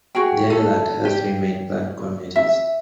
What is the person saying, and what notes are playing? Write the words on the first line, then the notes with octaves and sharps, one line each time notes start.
The island has three main plant communities.
F#4 G#4 G5
A4
G4
E5